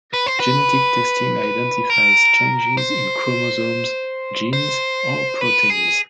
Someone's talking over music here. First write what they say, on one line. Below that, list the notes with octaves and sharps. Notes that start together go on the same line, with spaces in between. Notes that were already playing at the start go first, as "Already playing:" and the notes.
Genetic testing identifies changes in chromosomes, genes, or proteins.
B4
C5
B4
A#4
C5
C5
B4
G#4